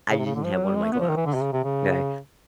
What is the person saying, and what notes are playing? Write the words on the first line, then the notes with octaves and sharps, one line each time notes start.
I didn't have one of my gloves. 'Kay?
C#3
C3
C#3
D3
F3
F#3
G3
G#3
A3
B3
F3
D#3
E3
D3
C3
C#3
C3
C#3